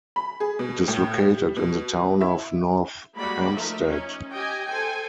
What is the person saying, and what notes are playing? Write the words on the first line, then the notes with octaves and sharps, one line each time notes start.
It is located in the Town Of North Hempstead.
B5
G#4
B2
A2
G3
B2
E4
G3 G#3 A#3 F#4 D5 B5
F3 A3 D#4 A#4 E5
C#4 D#4
G4 D#5 G5 G#5
A4 C5 G5 G#5